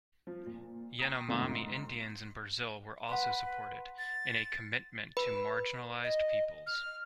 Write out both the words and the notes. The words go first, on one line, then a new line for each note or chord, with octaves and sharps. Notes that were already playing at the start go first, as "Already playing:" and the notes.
Yanomami Indians in Brazil were also supported, in a commitment to marginalized peoples.
F3
A#2
G5 A#5 D#6
E2 B2 D3 F3 A3 A#3
G#2 C6
B4 F#5 C6
A6
B4 B5
D#5
F6